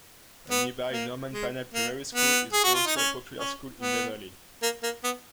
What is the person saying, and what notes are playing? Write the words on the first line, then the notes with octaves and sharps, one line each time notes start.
The nearby Norman Pannell Primary School is also a popular school in Netherley.
B3
A#3
G#3
A#3
B3
G#4
F#4
F4
D#4
C#4
C#4
B3
A#3
A#3
B3